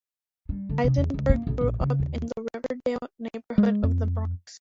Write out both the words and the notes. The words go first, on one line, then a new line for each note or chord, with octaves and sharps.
Eisenberg grew up in the Riverdale neighborhood of the Bronx.
G3
D3
C3
E2
C#2
A#3
B1
A#1
C#3
D#2
G#3
F2